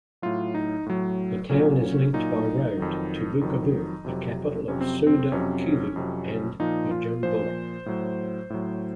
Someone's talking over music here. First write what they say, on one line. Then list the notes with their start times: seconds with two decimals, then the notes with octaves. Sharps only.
The town is linked by road to Bukavu, the capital of Sud-Kivu, and Bujumbura.
0.22 A2 F#3 F4
0.55 D#4
0.86 A2 F#3
1.50 A#2 F#3 C#4
2.13 A#2 F#3 D#4
2.77 F2 D#3 F#3
3.41 F2 D#3 F#3
4.04 F2 C3 F#3
4.68 F2 C3 F#3 C#4
4.81 C4
5.07 C4
5.32 F2 C3 F#3 C#4
5.96 F2 C3 F#3
6.59 A#2 F3 D#4
6.91 F4
7.23 A#2 F3 C5
7.86 A2 F#3
8.50 A2 F#3